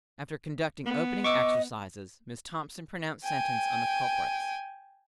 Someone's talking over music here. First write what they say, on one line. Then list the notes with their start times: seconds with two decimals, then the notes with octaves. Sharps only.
After conducting opening exercises, Miss Thompson pronounced sentence on the culprits.
0.85 B3
1.24 D#5 C#6 D6 E6
3.24 G5 G#5